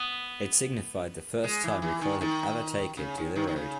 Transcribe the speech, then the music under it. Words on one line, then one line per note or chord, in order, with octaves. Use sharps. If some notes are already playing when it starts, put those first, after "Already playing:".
It signified the first time Recoil had ever taken to the road.
Already playing: B3
G#3
E3
E3
D#3
D#3
C#3
D#3
D#3
D#3
C#3